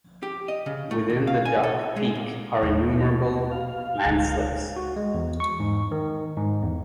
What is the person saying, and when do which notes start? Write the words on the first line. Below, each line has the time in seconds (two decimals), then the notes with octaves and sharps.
Within the Dark Peak are innumerable landslips.
0.23 G4
0.48 D#5
0.66 C#3
0.91 A3
1.10 D#2
1.27 F5
1.45 G#5
1.63 A4
1.96 G#3
2.15 A#2
2.63 D#2 A#3
3.51 F5
4.05 D1 C#2
4.77 F#4
4.96 G#3
5.15 E2
5.40 C#6
5.60 G#2
5.91 D#3
6.37 G#2
6.62 E2